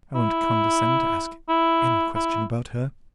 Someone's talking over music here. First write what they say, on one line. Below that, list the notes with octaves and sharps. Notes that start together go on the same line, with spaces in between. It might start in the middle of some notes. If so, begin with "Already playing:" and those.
I won't condescend to ask any question about her.
E4
E4
E4